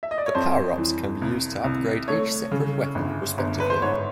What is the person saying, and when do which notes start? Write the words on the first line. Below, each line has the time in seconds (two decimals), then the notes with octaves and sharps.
The power-ups can be used to upgrade each separate weapon respectively.
0.03 E5
0.11 D#5
0.18 D5
0.26 C#5
0.35 F2 C5
0.78 E3
1.22 C2
1.64 C2
2.08 A3 C#5
2.52 C#3
2.95 G1
3.38 G1
3.60 B4
3.70 C5
3.82 G#2 C#5